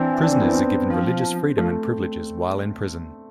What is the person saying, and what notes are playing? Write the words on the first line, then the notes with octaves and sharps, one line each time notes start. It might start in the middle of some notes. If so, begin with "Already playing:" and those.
Prisoners are given religious freedom and privileges while in prison.
Already playing: E3 C4 D4
D4
C4
B3
C4
F3
F3 A3